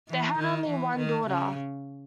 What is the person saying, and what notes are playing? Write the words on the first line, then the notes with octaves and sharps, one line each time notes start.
They had only one daughter.
E3
D#3
E3
D#3
C#3